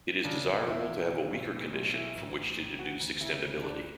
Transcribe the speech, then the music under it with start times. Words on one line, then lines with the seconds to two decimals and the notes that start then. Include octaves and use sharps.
It is desirable to have a weaker condition from which to deduce extendability.
0.24 C#3 D4
0.46 E1
0.67 E2 E4
0.88 E1
1.09 E3
1.30 B1
1.51 A2
1.72 B1
1.94 E3 E4
2.15 A1
2.36 A2
2.57 A1
2.78 E3 F#4
3.00 D2
3.20 C#3 E4
3.42 D2
3.63 D2 D4